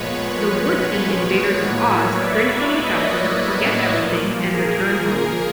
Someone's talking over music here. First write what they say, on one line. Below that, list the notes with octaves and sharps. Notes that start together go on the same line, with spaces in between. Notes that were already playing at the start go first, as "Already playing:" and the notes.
The would-be invaders of Oz drink from the fountain, forget everything, and return home.
Already playing: A#2 F3 G#3 B3 B4 C#5
B4 C#5
A2 F#3 A#3
D5 E5
C#5 D#5
A#2 F3 A#3
G#4 A#4
G#4 A#4